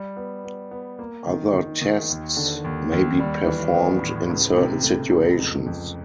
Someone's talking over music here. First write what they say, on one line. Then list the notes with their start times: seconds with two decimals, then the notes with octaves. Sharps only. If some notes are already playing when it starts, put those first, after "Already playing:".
Other tests may be performed in certain situations.
Already playing: G3
0.17 B3
0.44 B3
0.71 B3
0.99 A#3
1.27 D#3
1.54 D#3
1.82 D#3
2.10 D#2
2.37 D3
2.64 D#2
2.92 D#2
3.19 G3
3.47 E3
3.74 B3
4.02 A2
4.30 C#2
4.57 C3
4.84 A3
5.11 C#2
5.39 F2
5.66 F2